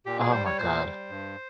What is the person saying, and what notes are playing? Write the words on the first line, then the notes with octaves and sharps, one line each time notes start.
Oh my god.
A#2 G4
G#4
G3 C5
C#5
A#2 C5
G3
G2